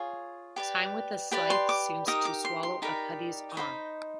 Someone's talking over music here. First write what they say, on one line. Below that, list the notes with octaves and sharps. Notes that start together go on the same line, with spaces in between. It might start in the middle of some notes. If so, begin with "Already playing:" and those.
Time with a scythe seems to swallow a putti's arm.
Already playing: F4 G#4 C#5
G4 B4 D5
G4 B4 D5 B5
C6
D6
D#4 G4 A#4 D#6
D6
C6
C6
D#4 G4 A#4 D5 B5
D#4 G4 C5 D#5 B5